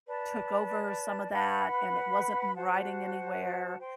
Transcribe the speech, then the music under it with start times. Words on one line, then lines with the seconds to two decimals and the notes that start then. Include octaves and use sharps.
took over some of that and it wasn't in writing anywhere,
0.06 B4 D5 A5
1.31 B4 F#5 B5
2.55 F#4 C5 F#5 A5
3.79 C5 G5 C6